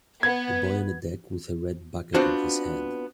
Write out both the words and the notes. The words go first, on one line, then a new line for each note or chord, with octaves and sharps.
A boy on a deck with a red bucket on his head.
B3 G#6
B3 C4 D4 F4 F#4 C5